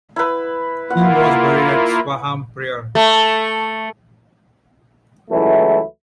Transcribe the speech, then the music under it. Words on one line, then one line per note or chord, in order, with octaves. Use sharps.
He was buried at Swaffham Prior.
E4 B4
A#3 E4 F4 F#5
A3
C#2 E3 F#3 G#3 A3 E4